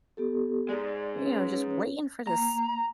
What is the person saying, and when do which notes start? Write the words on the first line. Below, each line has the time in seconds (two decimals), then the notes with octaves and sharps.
you know, just waiting for this
0.17 B3 G4 A4
0.69 G#2 G#3 D5
1.19 C#4 B4 C#5
2.27 A#3 A#5